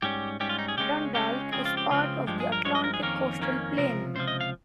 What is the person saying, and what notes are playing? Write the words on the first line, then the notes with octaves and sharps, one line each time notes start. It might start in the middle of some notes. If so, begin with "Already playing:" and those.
Dundalk is part of the Atlantic Coastal Plain.
G#2 G3 C#4 G4
G#2 G3 C#4 G4
F4
D#4
G#4
C#2 C#3 G#3 C#4 G4
C#2 C#3 G#3 C#4 G4
C#2 C#3 F3 C4 G#4
F4
G4
C#2 C#3 F3 C4 F4
G2 F3 G#3 G4
G#4
A#4
G2 F3 G#3 C#5
D#5
A#4
G#4
F2 D#3 A#3 C#4 A#4
F2 D#3 A#3 C#4
C#2 C3 F3 A#4
C#2 C3 F3 C5
D#5
F5